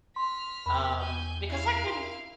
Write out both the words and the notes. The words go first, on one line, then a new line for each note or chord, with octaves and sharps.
um, because I couldn't,
C6 F6 B6
E2 A#4 B5
G#5 G6
E4 F5
F#4 A#4